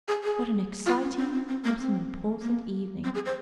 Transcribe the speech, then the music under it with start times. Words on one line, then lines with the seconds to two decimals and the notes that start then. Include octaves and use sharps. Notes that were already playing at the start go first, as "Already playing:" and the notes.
What an exciting, what an important evening!...
0.08 G#4
0.24 G#4
0.86 F4
1.02 C#4
1.17 C4
1.33 C4
1.49 C4
1.64 A#3
1.80 C4
2.42 A#3
3.04 C4
3.15 G#4
3.26 C5